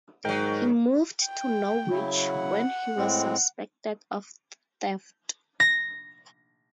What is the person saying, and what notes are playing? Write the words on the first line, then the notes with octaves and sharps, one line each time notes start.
He moved to Norwich when he was suspected of theft.
G#2 D#3 F#3 A#4 G5
G5
C#3 F#3 E4
F#5
A2 G#3 C4
A#6